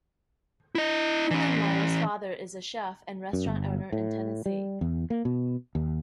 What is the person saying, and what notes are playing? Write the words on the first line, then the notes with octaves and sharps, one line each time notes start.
Hillenmeyer's father is a chef and restaurant owner in Tennessee.
E4 D#5
E3 C#4
F#2
G1
A2
G3
E2
A#3
B2
D#2